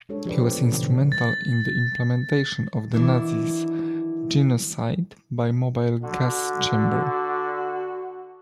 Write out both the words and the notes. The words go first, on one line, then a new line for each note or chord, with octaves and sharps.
He was instrumental in the implementation of the Nazis' genocide by mobile gas chamber.
G#3 D4 G4 A4 C#5
F3 D4 G4 B4 C5 D5
D#3 B3
A#2 C#3 E3
A6
D#3 E3 F#3 D4 E4
D3 F#4